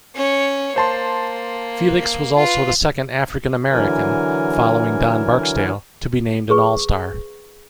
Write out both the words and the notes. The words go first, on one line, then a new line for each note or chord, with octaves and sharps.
Felix was also the second African-American, following Don Barksdale, to be named an All-Star.
C#4 C#5
A#3 C5 A5 C6
F4 B4
D3 E3 F#3 A#4 G#5
G#4 B4 C#6